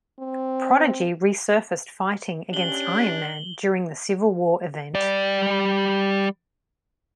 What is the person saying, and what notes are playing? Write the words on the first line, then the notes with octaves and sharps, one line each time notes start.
Prodigy resurfaced fighting against Iron Man during the Civil War event.
C4
C#4 D4 G4 F#7 G7
G3 D5